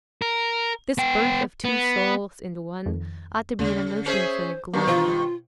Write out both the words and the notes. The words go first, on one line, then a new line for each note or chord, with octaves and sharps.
This birth of two souls into one, ought to be an emotion for the gloom.
A#4
B3 G5
B3
F2 D#3
D#2 C#3
C#4 G#4 C5 E5
G2 D#3 A#3 B3 D4
B2 F4 C5 F5